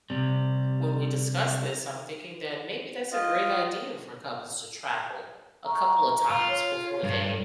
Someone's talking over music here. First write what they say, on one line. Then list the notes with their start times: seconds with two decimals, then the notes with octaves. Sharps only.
when we discuss this, I'm thinking that maybe that's a great idea for couples to travel a couple of times before they,
0.10 C3 G3
3.12 F4 D#5
5.66 A#5 C#6
6.30 F4
6.49 C#5
7.03 G2